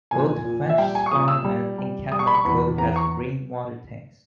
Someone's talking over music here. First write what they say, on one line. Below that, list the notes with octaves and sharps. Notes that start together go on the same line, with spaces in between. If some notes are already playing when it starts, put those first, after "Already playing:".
Both Frenchs Farm and Encampment Cove have rainwater tanks.
A#2 G#5
A#2
E5
G3 G5
G#5
C#6
A#2 D#6
E6
G3
G3
G3 D#6
C#6
B5
C#6
E2 B5
E2 A#5
C#6